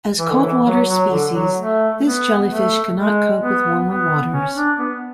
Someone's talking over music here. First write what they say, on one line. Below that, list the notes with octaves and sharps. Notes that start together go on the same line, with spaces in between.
As coldwater species, this jellyfish cannot cope with warmer waters.
E3
D3
E3
F#3
F#3
D3
F#3
A3
B3
A3
G#3
B3
B3
C#4
D4
B3